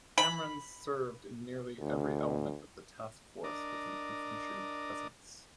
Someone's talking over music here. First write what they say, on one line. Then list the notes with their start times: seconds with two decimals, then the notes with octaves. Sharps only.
Camerons served in nearly every element of the task force with an infantry presence.
0.18 B5
1.80 D2
3.44 D4 A#4 D5 D#5